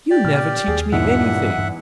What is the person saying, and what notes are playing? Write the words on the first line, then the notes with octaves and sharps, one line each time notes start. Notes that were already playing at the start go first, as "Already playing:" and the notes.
"You never teach me anything."
G4 D5
A#2 F6
D#2 G#4
E2 G2 A#2 D#4 E5 F#5
G2